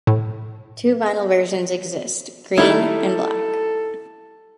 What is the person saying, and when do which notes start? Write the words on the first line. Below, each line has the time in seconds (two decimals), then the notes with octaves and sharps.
Two vinyl versions exist - green and black.
0.07 A2
2.58 D#3 G3 A3 E4 A4